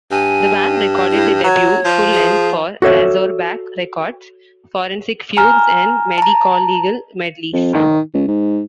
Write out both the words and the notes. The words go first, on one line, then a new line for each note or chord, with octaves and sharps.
The band recorded their debut full-length for Razorback Records, "Forensic Fugues and Medicolegal Medleys".
G2 G#5
E4
F#3 C#5
F3
G#4
F#4 A4 C#5 E5
G#5 A#5 F6
A5 A#5
F2
D#3
C#2
G#2